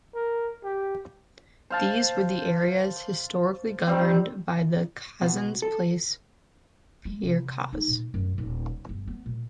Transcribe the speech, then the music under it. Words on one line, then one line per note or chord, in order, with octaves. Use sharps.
These were the areas historically governed by the Kazan Palace's Prikaz.
A#4
G4
C5 F5 A5
D#3 G3 C4
B2
A4
G#3
C3
D#4
A#2
F#2
D#1
G1
B3
A#2